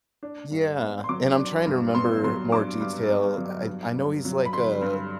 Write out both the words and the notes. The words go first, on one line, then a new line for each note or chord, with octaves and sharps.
Yeah, and, I'm trying to remember more detail, I I know he's like a
D4
G2
B3
C6
F#3 D6
D4
G2
B3 C6
F#3 C6
D4 D6
G2
B3
F#3
G2
G2
F#3
B5
D3 C6
G2